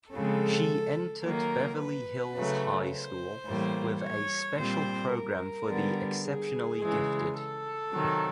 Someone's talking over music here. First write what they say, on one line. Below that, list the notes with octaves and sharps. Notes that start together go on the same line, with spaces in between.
She entered Beverly Hills High School with a special program for the exceptionally gifted.
C#3 F3 G#3 C4 A4
D#3 F#3 A#3 A#4
B4
C#3 F#3 A3
C5
A2 E3 G3 A#3
C#5
A#2 G3 C4 C5
A#4
D3 G3 B3
G#4
C#3 E3 G#3
A4
C3 D#3 F#3